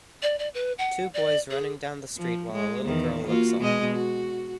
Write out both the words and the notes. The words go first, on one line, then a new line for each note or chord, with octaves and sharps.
Two boys running down the street while a little girl looks on.
D5
D5
B4
F#5
D5
G#4
F3
G#3
E2 D#3
A#3 F4 F#4
B2 G#3 D#5
F#4